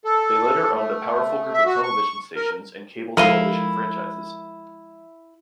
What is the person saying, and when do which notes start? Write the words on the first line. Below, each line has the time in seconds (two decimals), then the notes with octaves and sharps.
They later owned a powerful group of television stations and cable television franchises.
0.05 A4
0.74 A3
1.53 E5
1.66 F#4
1.83 C#6
2.36 A#4
3.17 F3 G#3 E4 A4 A#4 F5 D#7 G7